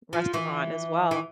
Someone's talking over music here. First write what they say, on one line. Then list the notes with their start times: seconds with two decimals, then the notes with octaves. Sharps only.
restaurant as well
0.13 F3
0.34 E3
1.11 E3